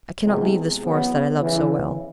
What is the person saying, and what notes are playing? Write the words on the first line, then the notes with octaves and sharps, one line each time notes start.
I cannot leave this Forest that I love so well.
E2 C3 F3 G#3
E2 C#3 F#3 B3
F2 C#3 E3